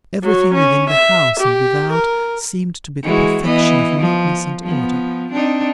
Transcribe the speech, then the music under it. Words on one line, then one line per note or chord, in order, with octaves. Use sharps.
Everything within the house and without, seemed to be the perfection of neatness and order.
F#3
C#4
E5
G4
A#4
E3 G#3 F#4
E3 B3 D#5
F3
F3 B3
C4 D4 D#4